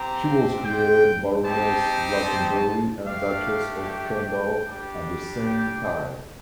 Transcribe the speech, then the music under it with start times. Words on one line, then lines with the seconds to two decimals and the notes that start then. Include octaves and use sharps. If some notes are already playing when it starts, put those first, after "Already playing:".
She was created Baroness Glastonbury and Duchess of Kendal at the same time.
Already playing: C4 G4 A#5
0.65 G5
1.44 C4 D#4 G4 A5
2.25 A5
3.06 A3 D4 G4 F5
3.87 G5
4.67 G3 D4 G4
5.47 G5